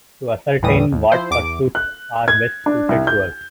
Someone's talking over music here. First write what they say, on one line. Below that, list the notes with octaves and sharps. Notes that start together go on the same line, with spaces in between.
To ascertain what pursuits are best suited to us.
D#2 A2 E3 G3 D#6
D#2
F3 E4 C5
E2 D6
F#6
G#6
D4
C2
G6